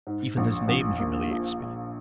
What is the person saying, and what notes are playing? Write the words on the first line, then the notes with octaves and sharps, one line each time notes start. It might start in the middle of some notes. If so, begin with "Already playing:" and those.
Even his name humiliates me.
G#2
A#1
A#1
A#3
F3
A#2